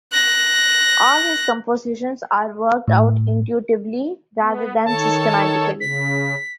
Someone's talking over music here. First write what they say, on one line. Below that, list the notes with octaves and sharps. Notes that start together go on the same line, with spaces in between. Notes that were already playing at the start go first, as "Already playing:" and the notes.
All his compositions are worked out intuitively rather than systematically.
F#6 A#6
A2
B3
D#3 A4 C#5 A5
C#3 B6